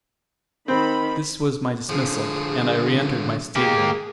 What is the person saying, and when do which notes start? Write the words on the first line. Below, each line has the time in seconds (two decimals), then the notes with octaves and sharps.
This was my dismissal, and I reentered my stateroom.
0.68 D#3 C4 B5
1.89 D3 F3 G#4
3.56 A#3 G4 G#4